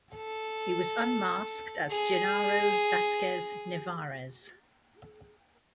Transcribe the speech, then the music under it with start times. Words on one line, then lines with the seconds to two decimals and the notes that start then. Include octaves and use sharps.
He was unmasked as Genaro Vazquez Nevarez.
0.15 A4
1.91 G#4